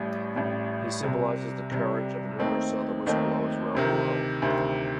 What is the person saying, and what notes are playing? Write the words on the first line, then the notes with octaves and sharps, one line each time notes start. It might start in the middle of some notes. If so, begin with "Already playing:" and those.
He symbolizes the courage of numerous other whistleblowers around the world.
Already playing: A1 A2 G3
A1 A2 G3
C2 C3 G3
C2 C3 G3
D#2 D#3 A3 C4 D#4
D#2 D#3 A3 C4 D#4
D2 C3 D#3
D2 C3 D#3